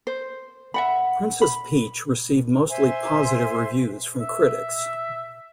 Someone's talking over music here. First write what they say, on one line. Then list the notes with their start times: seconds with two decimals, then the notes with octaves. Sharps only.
Princess Peach received mostly positive reviews from critics.
0.07 C5
0.74 E5 F#5 B5
1.42 B5
2.69 C5 E5 G#5 C6
4.20 E5